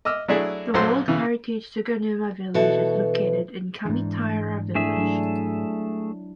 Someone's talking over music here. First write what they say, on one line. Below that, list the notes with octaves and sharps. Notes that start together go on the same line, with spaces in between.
The World Heritage Suganuma village is located in Kamitaira village.
D#5 D6 E6 F6
F#3 A3 D4 E4 G#4
A#1 F#3 A4 C5 C6
C#3 E3
B2 E3 F#4 A4
G#2 E3 G#3 D4
A3 D4 E4 G#4 E5
F#3 D4